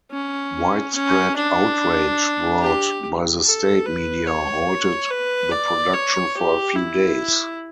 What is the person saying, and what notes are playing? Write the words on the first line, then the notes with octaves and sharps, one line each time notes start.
Widespread outrage brought by the state media halted the production for a few days.
C#4
C#4
D4
G4
A4
B4
C#5
B4
D5
C#5
G4
E4